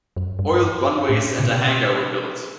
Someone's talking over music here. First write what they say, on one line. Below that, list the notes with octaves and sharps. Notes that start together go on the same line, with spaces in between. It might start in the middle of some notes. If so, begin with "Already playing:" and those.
Oiled runways and a hangar were built.
F#2
G2
A2
C#3
B2